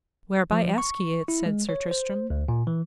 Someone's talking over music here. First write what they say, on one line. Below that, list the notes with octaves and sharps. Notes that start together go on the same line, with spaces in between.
Whereby ask ye it? said Sir Tristram.
F3
C#6
E4
G#3
C#5
C5
D2
A#2
E3